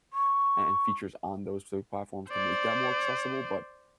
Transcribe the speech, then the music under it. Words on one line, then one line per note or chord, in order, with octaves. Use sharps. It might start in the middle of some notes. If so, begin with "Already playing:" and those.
a and features on those so platforms to make them more accessible, but
C#6
C5 D5